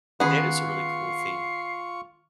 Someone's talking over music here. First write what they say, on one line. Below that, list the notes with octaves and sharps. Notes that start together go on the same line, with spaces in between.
That is a really cool theme,
D#3 B3 C#4 F4 G#4 C#6 C7